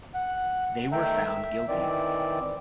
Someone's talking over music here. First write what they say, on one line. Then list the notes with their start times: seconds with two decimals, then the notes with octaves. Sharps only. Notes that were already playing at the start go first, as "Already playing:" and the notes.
They were found guilty.
0.14 F#5
0.92 D#3 A3 E5 G5 A#5
1.25 E5
1.68 D#3 E3 C4 D5